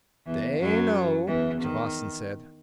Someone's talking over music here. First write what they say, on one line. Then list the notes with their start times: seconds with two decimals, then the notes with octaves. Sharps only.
"They know," Javasan said.
0.26 E2 E3
0.60 F#2 F#3
1.28 E2 E3
1.61 D#3